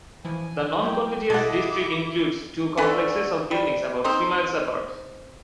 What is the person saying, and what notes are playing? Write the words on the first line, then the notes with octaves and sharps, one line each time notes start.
The noncontiguous district includes two complexes of buildings about three miles apart.
E3 F3 E4 G#5
F#3 B3 E4 G5
B2 E4 G#4 A4 D#5 F#5 D6
D3 A3 B4 G#5
G3
C4 D#4 C5